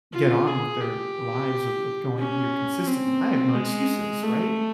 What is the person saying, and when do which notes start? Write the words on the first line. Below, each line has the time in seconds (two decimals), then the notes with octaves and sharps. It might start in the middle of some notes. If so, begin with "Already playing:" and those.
get on with their lives of of going here consistently, I have no excuses," right?
0.13 F4
0.47 G#4
0.81 G4
2.18 C#4
2.87 C4
3.55 G#3
4.23 A3